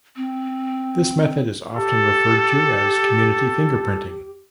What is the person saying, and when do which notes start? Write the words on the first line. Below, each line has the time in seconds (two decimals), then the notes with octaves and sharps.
This method is often referred to as community fingerprinting.
0.17 C4
1.77 G4 A4